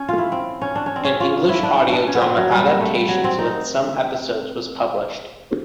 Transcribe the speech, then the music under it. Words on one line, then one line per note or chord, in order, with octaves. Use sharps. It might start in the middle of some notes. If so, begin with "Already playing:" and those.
An English Audio drama adaptation with some episodes was published.
Already playing: C#4
F4
E4
C4
C#4
D4
C#4
C4
C#4
F4
E4
D4
D4
D4
C#4
B3
C4
F#3
G3
A#3
A3
G3
F#3
C4
D#4